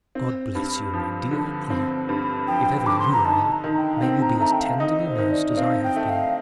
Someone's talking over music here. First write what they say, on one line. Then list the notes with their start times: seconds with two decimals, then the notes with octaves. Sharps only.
God bless you, my dear E. If ever you are ill, may you be as tenderly nursed as I have been.
0.15 C4
0.55 G2
0.93 F3
1.31 D3
1.70 C4
2.09 G2
2.47 F3 G5
2.86 D3 D6
2.99 C6
3.13 A#5
3.25 D#4 A5
3.52 A#5
3.64 D#3
3.77 G5
3.97 F5
4.02 C4 G5
4.22 A#5
4.41 A3 A#5
4.53 G5
4.61 F5
4.80 D#4 D#5
5.06 C5
5.18 D#3
5.31 D5
5.57 C4 F5
5.83 G5
5.96 A3
6.09 F5